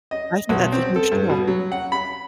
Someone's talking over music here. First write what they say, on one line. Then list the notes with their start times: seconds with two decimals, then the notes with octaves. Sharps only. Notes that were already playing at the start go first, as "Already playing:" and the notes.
I think that's a huge tool.
0.11 D#5
0.49 B1
0.72 C4
0.96 A4
1.12 G2
1.30 B2
1.47 F#3
1.72 F#5
1.92 B5